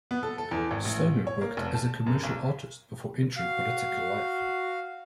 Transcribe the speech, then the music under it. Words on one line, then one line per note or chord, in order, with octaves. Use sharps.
Stoner worked as a commercial artist before entering political life.
B3
A4
A4
E2
G#1
A1
C#5
A#3
F1
A5
F#2
B1
F#4 F5